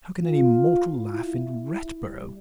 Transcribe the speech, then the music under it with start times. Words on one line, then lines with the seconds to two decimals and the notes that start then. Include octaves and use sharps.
How can any mortal laugh in Ratborough!
0.22 F4
1.11 E4
1.73 E4
2.03 G3